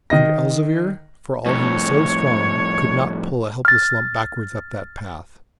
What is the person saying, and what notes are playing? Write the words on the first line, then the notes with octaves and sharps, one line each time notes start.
And Elzevir, for all he was so strong, could not pull a helpless lump backwards up that path.
D#3 D#5 A#6
F2 A2 C#5
F6 A6